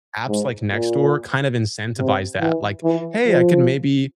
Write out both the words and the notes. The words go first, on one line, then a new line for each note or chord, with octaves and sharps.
apps like Nextdoor kinda incentivize that. Like, "Hey, I could maybe"
G#2
A#2
C3
E3
E3
F3